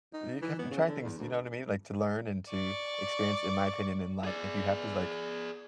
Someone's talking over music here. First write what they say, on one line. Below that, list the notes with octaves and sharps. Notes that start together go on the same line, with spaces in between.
you can you try things, you know what I mean? Like, to learn, and to experience in my opinion in life, if you have to, like,
D#4
E3
B3
C#3
D3
E2
D2
D5 C#6
G#4 D5